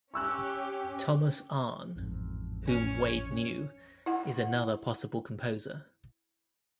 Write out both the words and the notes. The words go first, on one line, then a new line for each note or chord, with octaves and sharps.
Thomas Arne, whom Wade knew, is another possible composer.
C#4 G4 C#6 E6 F#6
A1 F2 G#2
C#4 C#5
E4 F#5